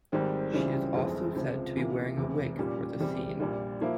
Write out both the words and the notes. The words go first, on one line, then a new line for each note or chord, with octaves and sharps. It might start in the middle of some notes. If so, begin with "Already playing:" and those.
She is also said to be wearing a wig for the scene.
G#1 G#2 G3 C4
C#2 C#3 E3 G3 C4
G1 F2 E3 G#3 C4
C#2 C3 F3
C#2 C3 E3 A#3
F1 E2 C3
A#2 G3 C#4 G4
E2 C3 G3
A#1 A#2 G3
F3 A#3 E4